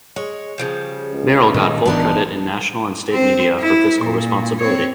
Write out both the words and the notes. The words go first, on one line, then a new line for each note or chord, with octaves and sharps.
Merrill got full credit in national and state media for fiscal responsibility.
G#3 C#5
C#3 F3 G3
C#2
A#2 D#3 G#3 D#4
A1 E3 A3 B3 D4 D#4
C4 C5
E4
A#2
C4 C#5